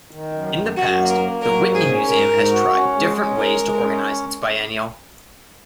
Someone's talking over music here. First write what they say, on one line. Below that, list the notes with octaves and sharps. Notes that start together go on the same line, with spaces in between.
In the past the Whitney Museum has tried different ways to organize its biennial.
D#3
F#2
F#2
F#2 F#4
A#3
A#4
A#3
F#3 A#4
G#2
G#4
C#4
G#2 A#4
G#2
F#4
C#4
G#3
C#4
G#3 A#4
G#3
C#4